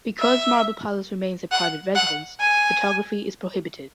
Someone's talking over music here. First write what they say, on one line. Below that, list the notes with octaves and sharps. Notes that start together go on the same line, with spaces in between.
Because Marble Palace remains a private residence, photography is prohibited.
E5
F#5
F#5
G#5